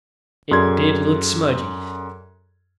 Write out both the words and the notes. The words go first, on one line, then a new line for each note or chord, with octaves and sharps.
It did look smudgy.
F#2 G#4 A4 D5 C6 G#6